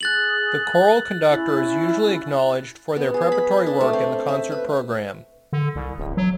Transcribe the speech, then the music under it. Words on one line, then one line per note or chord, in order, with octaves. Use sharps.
The choral conductor is usually acknowledged for their preparatory work in the concert program.
G#4 F#6 A6 F#7
C#4 E4
B3
G#4
B5
D4
A3
C4
E5
B4
D3
C2
D1
F#3